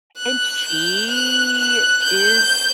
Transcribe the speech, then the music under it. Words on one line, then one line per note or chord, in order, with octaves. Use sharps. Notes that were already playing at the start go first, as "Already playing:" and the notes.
and she is
F#6
G6
F#6
F#6
G6